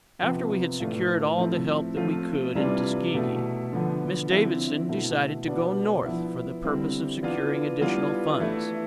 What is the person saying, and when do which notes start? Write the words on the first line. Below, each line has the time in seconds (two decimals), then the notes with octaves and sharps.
After we had secured all the help that we could in Tuskegee, Miss Davidson decided to go North for the purpose of securing additional funds.
0.21 C3 F3 B3 F4
0.80 A2 E3 A3 D4 F4
1.38 F3 A3 C4 E4
1.97 F3 A3 C4 F4
2.55 C3 E3 G3 D4 F4
3.14 B2 A3 E4
3.72 D3 F3 B3
4.30 D3 F3 C4 E4
4.89 B2 A3 E4
5.46 B2 B3 D4
6.06 F3 B3 E4
6.64 D3 G3 C4 E4
7.23 E3 B3 D4 F4
7.81 E3 G3 B3 D4 F4
8.40 E3 A3 E4